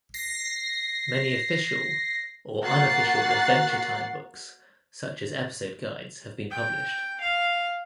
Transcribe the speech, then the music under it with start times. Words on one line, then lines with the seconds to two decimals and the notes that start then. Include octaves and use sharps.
Many official or unofficial "Adventure Time" books such as episode guides have been published.
0.14 A#6 C7
2.64 A#3 F#4 F#5 F#6 A6 C7
6.51 G5
7.20 F5